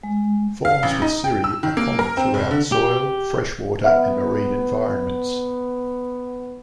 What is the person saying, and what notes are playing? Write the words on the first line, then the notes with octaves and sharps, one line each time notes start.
Forms with cirri are common throughout soil, freshwater, and marine environments.
G#3
F5
A1
D#4
G5
E6
D#3
A#3
A#4
C4
F1
D3
G4
B3 E5 F#5 F6